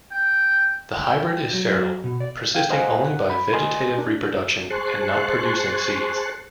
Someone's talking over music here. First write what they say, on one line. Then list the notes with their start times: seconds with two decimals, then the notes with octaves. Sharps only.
The hybrid is sterile, persisting only by vegetative reproduction and not producing seeds.
0.11 G5
1.04 G5
1.53 F#3
2.04 B2
2.20 D5
2.55 F5 G5
2.70 C5 D#5 F5 F#5 G#5 A#5
3.05 F#5
3.30 B5
3.53 A#4 D#5 G#5 A#5 C6
3.98 D4
4.70 G#4 C5 A5 C6 C#6 F#6